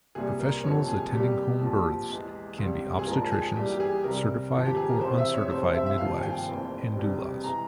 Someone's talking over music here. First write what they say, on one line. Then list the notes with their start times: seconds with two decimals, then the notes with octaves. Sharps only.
Professionals attending home births can be obstetricians, certified or uncertified midwives, and doulas.
0.15 C2 A#2 G3 A#3 G#4
0.40 A#4
0.64 G1 F2 C3 F3 A#3 C#5
0.88 G#4
1.12 E2 C3 G3 A#3 G4
1.61 A#1 A#2 F3 A#3
2.09 E2 E3 G#3
2.58 C#2 C3 G3
2.99 G#4
3.06 A#1 G#2 F3 A#4
3.31 G#4
3.56 E2 E3 G3 A#3 G4
3.72 G4
3.80 G#4
4.04 C2 C3 G3 A#4
4.53 G#1 G#2 F3
4.65 G4
4.77 G#4
4.89 A#4
5.01 E1 E2 C3 E3 C5
5.18 E5
5.34 C#5
5.50 F1 F2 C3 C5
5.74 E5
5.86 E5
5.98 G#1 G2 F3 A#3 F5
6.19 G#5
6.22 G5
6.47 F1 F2 E3 A#3
6.96 E1 E2 C3 G3
7.44 E3 G#3 A#5